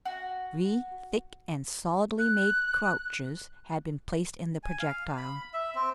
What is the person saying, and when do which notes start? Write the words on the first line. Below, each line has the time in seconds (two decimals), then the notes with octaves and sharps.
Three thick and solidly-made couches had been placed in the projectile.
0.06 F#4
2.19 F#6
4.63 G#5
4.80 F5
5.17 B5
5.53 E5
5.75 C4